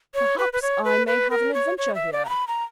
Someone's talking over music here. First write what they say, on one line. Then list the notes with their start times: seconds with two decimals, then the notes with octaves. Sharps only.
Perhaps I may have an adventure here.
0.14 C#5
0.38 B4
0.53 B4
0.62 C#5
0.85 B4
1.07 B4
1.30 A#4
1.54 C#5
1.78 C#5
1.95 E5
2.13 D5
2.25 A#5
2.29 B5
2.48 A#5